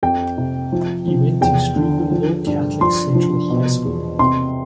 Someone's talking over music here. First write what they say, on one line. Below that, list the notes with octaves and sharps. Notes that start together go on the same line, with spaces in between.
He went to Steubenville Catholic Central High School.
F2 G5
C3
F3
F3
E2 G5
D3
F3
G2
F3 C6
F3
B2
E2
C3 C6